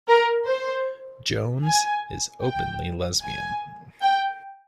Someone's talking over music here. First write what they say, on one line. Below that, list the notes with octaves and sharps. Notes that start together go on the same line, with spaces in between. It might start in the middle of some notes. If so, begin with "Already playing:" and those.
Jones is openly lesbian.
A#4
C5
G#5
G5
G#5
G5